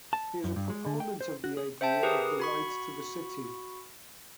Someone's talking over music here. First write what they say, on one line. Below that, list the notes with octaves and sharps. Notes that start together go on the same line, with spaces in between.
He is a proponent of the idea of the right to the city.
A5
F#2
G2
G#3
D3
G5
C5
F#4
G#4
C5 E5 G5 A5
G4 G#4 A#4 B4 D#6
F#4 B5 C#6